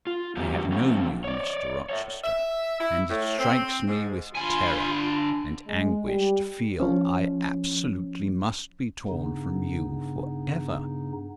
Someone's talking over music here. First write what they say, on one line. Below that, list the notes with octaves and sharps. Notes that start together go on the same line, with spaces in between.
I have known you, Mr. Rochester; and it strikes me with terror and anguish to feel I absolutely must be torn from you for ever.
F4
D3 E3 F#3 G3 B3 G4
F3 A3 C4 C#4
C#5 D5
C#5 D#5 E5
E5
E4
A2
C4
G#2
D3 F4 G#5 B5 C6
G#3
G3
F3 C#4
G2 C#3 B3 D#4